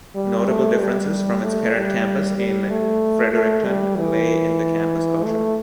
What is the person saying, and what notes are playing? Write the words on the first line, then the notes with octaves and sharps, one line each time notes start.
Notable differences from its parent campus in Fredericton lay in the campus culture.
G3
A3
G3
A3
G3
G3
A3
A3
G3
E3
A3